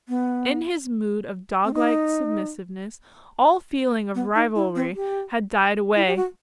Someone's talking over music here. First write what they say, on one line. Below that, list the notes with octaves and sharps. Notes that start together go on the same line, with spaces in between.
In his mood of doglike submissiveness all feeling of rivalry had died away.
B3
C4
D#4
B3
D#4
E4
C4
G4
E4
G4
F#4